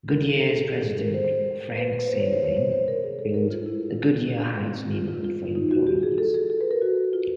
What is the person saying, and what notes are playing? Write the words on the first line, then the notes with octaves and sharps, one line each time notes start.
Goodyear's president, Frank Seiberling, built the Goodyear Heights neighborhood for employees.
A#4
A4
A4
G#4
G4
G#4
A#4
C5
C5
B4
B4
C5
C#5
C5
C#5
C5
C5
A#4
G#4
A4
A#4
F4
E4
C4
F4
F4
F4
D#4
F#4
G4
G#4
A4
G#4
A4
B4
A#4
F#4
F4